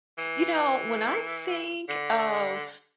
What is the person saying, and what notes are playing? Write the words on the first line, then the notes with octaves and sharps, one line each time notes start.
You know, when I think of
E3
D3